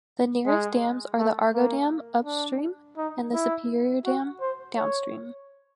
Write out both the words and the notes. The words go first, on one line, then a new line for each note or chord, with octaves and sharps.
The nearest dams are the Argo Dam upstream and the Superior Dam downstream.
G#3
A3
A#3
D4
D#4
E4
F#4
C5
C#5